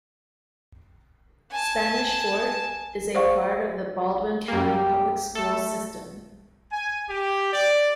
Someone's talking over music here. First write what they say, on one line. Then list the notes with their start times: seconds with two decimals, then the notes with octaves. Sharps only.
Spanish Fort is a part of the Baldwin County Public Schools system.
1.51 G#5 A5
3.15 C5 D5 F5 F#5 C#6
4.48 F#2 A#3 G4
5.35 A3 A4
6.72 G#5
7.09 G4
7.53 D5